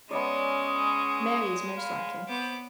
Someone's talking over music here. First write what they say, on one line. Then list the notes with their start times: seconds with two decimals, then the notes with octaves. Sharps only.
Mary is most like him.
0.11 G#3 B3 C#4 C#5 D5 C#6 D#6
1.77 F5 B5
2.28 B3 C5 D6